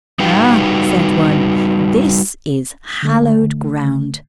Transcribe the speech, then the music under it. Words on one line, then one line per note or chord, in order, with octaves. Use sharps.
Ah, said one, this is hallowed ground.
G3 D#4 F#4 B4 F5 G5
D3 A3